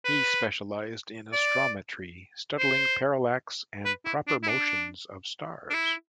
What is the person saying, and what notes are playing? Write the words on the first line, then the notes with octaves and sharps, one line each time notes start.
He specialized in astrometry, studying parallax and proper motions of stars.
B4
D5
C5
B4
E4
D4
E4
D4
D4
E4